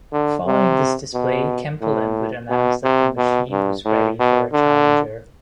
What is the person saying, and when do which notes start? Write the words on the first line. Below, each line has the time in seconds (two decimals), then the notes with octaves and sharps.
Following this display, Kempelen would announce that the machine was ready for a challenger.
0.13 D3
0.47 C3
1.14 B2
1.82 A2
2.50 B2
2.84 C3
3.17 B2
3.51 G2
3.85 A2
4.19 B2
4.53 D3